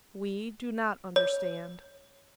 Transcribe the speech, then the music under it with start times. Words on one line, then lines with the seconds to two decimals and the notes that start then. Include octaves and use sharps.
We do not understand.
1.16 C#5